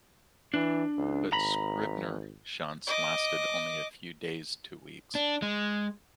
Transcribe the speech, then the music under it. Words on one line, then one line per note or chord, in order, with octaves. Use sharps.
But Scribner shunts lasted only a few days to weeks.
E3 D4
C#2
G#1 A#5 B5
D#5 D6
D4
G#3